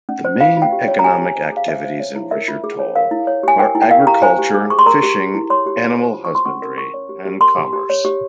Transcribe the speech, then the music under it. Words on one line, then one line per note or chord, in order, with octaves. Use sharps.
The main economic activities in Richard Toll are agriculture, fishing, animal husbandry, and commerce.
C#4
C5
F4 F5
F4
G5
G4
C#5
A#5
G4 G#5
G4
C5
G#4 F5
C5 E5
C5
C#5
E4
A#4 E5
F4
G#4
C#5
A#4 F5
E4
C#5
G4 G#5
A#4 G5
E4
G5
A#4 F5
G4 A#5
C5 G#5
G4
G#4
G#4 C#6
C6
A#4 A#5
G4
G4
E4
C#5 C6
G4
G4
C5
F4
C#6
C5 C6
C#4 C#6
A#4
A#4 C#6
C#5
G4
G4
A#4 C6
G4
G4
C#5
G4